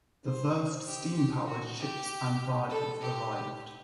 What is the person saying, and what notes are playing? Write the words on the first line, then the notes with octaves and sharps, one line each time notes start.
The first steam-powered ships and barges arrived.
C5
G4
G4
F#4
G4
A4
G4